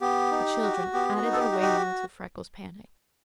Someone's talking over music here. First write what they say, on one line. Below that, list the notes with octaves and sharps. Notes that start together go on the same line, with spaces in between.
The children added their wailing to Freckles' panic.
B3 G4
D#4
F#4
B3 G4
F#4
D#4
A4
G4
F#4
G4